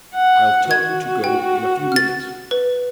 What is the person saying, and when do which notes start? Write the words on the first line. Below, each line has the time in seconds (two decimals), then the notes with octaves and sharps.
"I'll tell you to go in a few minutes."
0.14 F#5
0.71 F#4 G#6
1.24 G5
1.92 F6 A6
2.51 B4